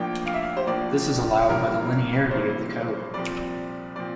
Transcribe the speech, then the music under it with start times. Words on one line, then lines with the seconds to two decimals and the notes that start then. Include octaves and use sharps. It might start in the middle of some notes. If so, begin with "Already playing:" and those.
This is allowed by the linearity of the code.
Already playing: A#1 A2 F3 A#3 D4 G5
0.26 F5
0.34 E5
0.42 F5
0.57 C5
0.67 A#1 A2 F3 A#3 D4 D5
1.49 A1 G2 F3 A#3 E4 A#4
2.31 A1 G2 F3 A#3 E4 C5
3.14 C2 A#2 F3 C4 D5
3.96 A#2 F3 C4 D5